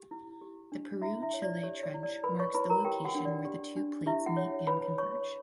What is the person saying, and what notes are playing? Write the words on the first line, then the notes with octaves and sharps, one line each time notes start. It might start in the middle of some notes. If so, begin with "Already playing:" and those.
The Peru–Chile trench marks the location where the two plates meet and converge.
Already playing: G4
E4
G4
D4
E4 F#4 E5
E4 E5
C#5
D5
G4 C#5
D5
E4
D5
A#4 B4 B5
C#5 C#6
E4 B4 B5
A#4 A#5
G4 A#4 G5
F#4 F#5
D4
D5
G4
D4
E4 G4 E5
F#4 F#5
C#5
B4 C#5 B5
C#5 C#6